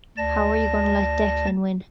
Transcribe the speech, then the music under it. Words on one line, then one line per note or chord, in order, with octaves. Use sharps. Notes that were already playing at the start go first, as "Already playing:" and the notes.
How are you gonna let Declan win?
D2 D5 A5 A#6